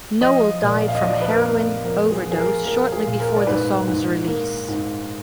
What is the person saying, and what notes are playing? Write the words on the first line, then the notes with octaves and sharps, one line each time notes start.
Nowell died from a heroin overdose shortly before the song's release.
F3 D#5
A#2 D5
F5
D#5
F3 D5
B4
A#4
B3
F3 A#4
G#4
F3
G#4
A#4
F3 A#4
G#4
A#2
A#4
D5
G#2 B4
G#2
A#3
G#2